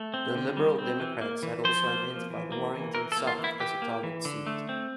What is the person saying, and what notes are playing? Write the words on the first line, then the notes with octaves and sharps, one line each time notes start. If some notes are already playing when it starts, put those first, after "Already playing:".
The Liberal Democrats had also identified Warrington South as a target seat.
Already playing: A3
C4
D3
G3
C4
E3
A#3
E3
F3 C5
A#3
F3
E3
A#3
E3
E3 A#4
A4
A#3
F4
E3
E4
E3 G4
A#3
E3
D3
A3
C4